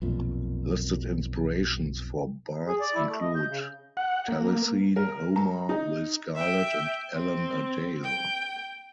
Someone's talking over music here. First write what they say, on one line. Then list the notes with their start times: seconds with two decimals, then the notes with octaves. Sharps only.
Listed inspirations for bards include Taliesin, Homer, Will Scarlet and Alan-a-Dale.
0.02 B1 F2 A#2
2.67 G#4
2.80 D5
2.95 E4
3.07 A3
3.20 D#5
3.35 G6
3.48 C#3
3.97 F#5
4.28 A#3
4.96 A#4
5.36 A#5
5.69 D#4
6.35 E5 G5
7.15 C4
8.04 G5